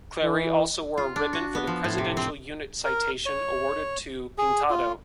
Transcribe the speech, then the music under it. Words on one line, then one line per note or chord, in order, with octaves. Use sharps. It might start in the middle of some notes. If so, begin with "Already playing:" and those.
Clarey also wore a ribbon for the Presidential Unit Citation awarded to "Pintado".
E3
F4
D4
F#4
B3
F3
A2
C3
C4
A#4
C#5
G#4
F4